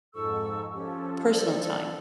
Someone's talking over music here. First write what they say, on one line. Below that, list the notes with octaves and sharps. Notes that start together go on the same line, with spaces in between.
personal time.
F2 G#2 A4 C#6 E6
F3 C#4 G4 A4
C5 D5